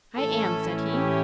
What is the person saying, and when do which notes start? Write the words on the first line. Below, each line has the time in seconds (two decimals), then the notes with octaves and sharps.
"I am," said he.
0.16 A2 E3 A3 C#4 E4 A4
0.91 G4